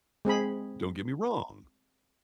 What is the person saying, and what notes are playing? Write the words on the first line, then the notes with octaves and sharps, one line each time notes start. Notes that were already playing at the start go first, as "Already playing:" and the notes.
don't get me wrong,
G#3 C4 G#4 B5